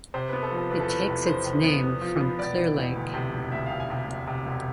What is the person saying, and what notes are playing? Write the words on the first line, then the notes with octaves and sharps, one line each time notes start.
It takes its name from Clear Lake.
C3 C5
B3 B4
A4
F3
A4
E2 B4
A4
E2 B4
C3
E2 C5
C3
B3
B3
F3
B3
E1 D5
E3
E1
D2
C3
E1
D2 E5
C3 F5
G#5
C3
E1
C3
E1